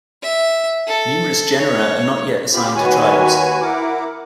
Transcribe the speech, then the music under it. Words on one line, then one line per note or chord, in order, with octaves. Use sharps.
Numerous genera are not yet assigned to tribes.
E5
A4
C#5
C#3 F4 G4 B5
D#2 D#3 F#4 B4 C#5 G#5
E4 A#4 F#5 D6